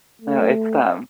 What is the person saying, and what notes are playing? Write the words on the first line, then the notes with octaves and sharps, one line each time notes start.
No, it's them.
A3